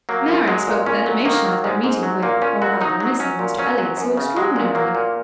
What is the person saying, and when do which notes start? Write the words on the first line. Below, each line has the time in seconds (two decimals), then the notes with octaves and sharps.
Mary spoke with animation of their meeting with, or rather missing, Mr Elliot so extraordinarily.
0.09 F#3 A#3
0.28 F#2
0.48 F#3 G#3
0.67 A#2
0.86 A#2 C#4
1.06 F#3
1.25 D#3 A#3
1.45 F#3
1.64 G#2 G#3
1.84 G#2
2.03 F#3
2.23 A#2 A#3
2.42 A#2 C#4
2.62 F#3 F#4
2.81 F#3 D#4
3.00 F#3
3.20 F#3 C#4
3.39 A#2
3.59 F#3 C#4
3.78 F#3
3.97 F#2
4.17 C#3
4.36 F#3 G#3
4.56 A#2
4.75 F#3 A#3
4.95 A#2